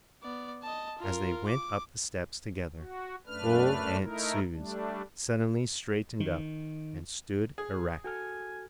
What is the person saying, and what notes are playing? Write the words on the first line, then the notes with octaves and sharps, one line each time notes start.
As they went up the steps together old Aunt Suse suddenly straightened up and stood erect.
B3 D5
D#5 A5
F4 A#4
D6
F#4
F#2 A3 D4 B4 F6
A3 D#4 E4 A#4
G3 A3 D4
D#3
G#4
F#4 A4 G#5 F6